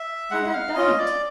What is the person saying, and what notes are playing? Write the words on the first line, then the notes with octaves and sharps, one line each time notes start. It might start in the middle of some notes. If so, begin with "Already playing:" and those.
And I don't.
Already playing: E5
G#3 F#5
F5
C#4 F4 D#5
D5